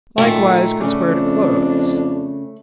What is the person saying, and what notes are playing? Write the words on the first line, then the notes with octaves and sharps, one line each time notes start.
Likewise could swear to clothes.
F#2 A#2 D#3 A3
C#3 C#4 D4
F2